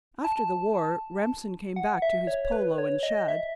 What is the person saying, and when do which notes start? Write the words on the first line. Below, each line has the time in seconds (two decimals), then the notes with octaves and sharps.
After the war Remsen came back to his polo and shad.
0.24 A5
1.76 F#5
2.02 E5
2.27 C#5
2.45 C#5
2.52 B4
2.78 C#5
3.03 D#5
3.28 E5